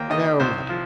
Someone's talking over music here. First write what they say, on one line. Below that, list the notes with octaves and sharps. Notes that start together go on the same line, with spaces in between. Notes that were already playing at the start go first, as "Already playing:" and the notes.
"No, madam."
Already playing: D#2 A#3 G5
D#3 D#5
C2 C5
F3